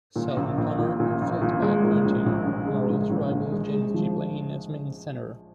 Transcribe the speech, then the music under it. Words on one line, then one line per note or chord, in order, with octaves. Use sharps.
Seldon Connor filled by appointing Morrill's rival James G. Blaine as Maine's Senator.
A#2
A#1
A#1
A#2
A#2
A#1
A#2
G#3
A#2
A#1
A#1
A#1
G#3
A#1
A#1
A#1
G#3
G#3
F3